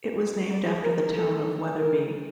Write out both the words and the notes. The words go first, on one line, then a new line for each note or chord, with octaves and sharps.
It was named after the town of Wetherby.
D5
G#4
A#4
A#4
A4
A#4